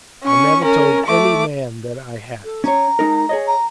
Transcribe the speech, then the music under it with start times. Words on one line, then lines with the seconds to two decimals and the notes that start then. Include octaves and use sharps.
"I never told any man that I had it."
0.23 C#4 C#6
0.64 C#4 A#4
1.06 A3 D6
2.43 A4
2.64 C#4 C#5 A#5
2.99 G#3 D#4 A#4
3.29 G#4 C#5 D#5
3.47 A#5